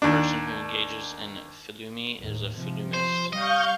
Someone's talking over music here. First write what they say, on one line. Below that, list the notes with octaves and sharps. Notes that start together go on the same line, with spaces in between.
A person who engages in phillumeny is a "phillumenist".
D#2 D4
D#2 A2
C3 F3
C5
G3 D#5 F5 C#6 G6